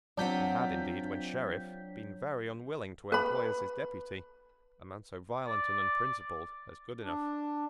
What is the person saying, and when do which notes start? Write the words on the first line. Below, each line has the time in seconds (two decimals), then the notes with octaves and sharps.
He had, indeed, when Sheriff, been very unwilling to employ as his deputy a man so violent and unprincipled as Goodenough.
0.17 F#3 C4 D4 F4 G4 F#5 G6 B6
3.12 B4 B5
5.47 D5
7.03 D4